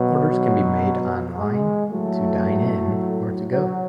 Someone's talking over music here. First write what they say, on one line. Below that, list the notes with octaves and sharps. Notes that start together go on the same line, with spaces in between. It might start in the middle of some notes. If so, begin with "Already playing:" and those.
Orders can be made online, to dine-in, or to-go.
Already playing: B2 F#3
F#3
G#3
A2 F#3 A3
F#3